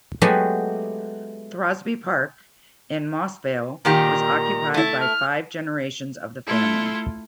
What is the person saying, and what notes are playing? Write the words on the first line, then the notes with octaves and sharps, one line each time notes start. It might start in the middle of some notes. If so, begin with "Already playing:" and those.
Throsby Park in Moss Vale was occupied by five generations of the family.
F#3 G#3 A3 B3 F#4 G4
A#2 D#3 G4 A#5
A3 E4 A5
F6
A3 E4 F4 A4